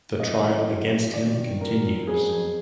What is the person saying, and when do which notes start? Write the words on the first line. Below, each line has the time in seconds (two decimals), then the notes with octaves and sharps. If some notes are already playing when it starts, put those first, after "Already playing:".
The trial against him continues.
0.20 F#2 D#5
0.43 D#3
0.66 F#2
0.90 F#2
1.14 D#3 D5
1.37 D#3
1.60 F#2 A#4
1.84 F#2
2.07 F2 G#4
2.31 F2